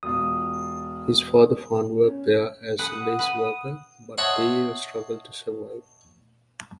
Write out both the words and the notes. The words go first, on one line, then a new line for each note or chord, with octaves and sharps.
His father found work there as a lace worker, but they struggled to survive.
E1 F4 D#6
C#4
B4 F#5 D#6
B4
C#5 D#5 E5 F#5 A5 C6